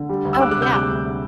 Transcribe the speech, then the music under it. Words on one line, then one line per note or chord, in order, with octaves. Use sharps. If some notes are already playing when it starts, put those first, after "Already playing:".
Oh, yeah.
Already playing: D3
G3
D2
E6
D2 D6 F#6
D6 F#6
C3 E6 G6
G3 D6 F#6
D2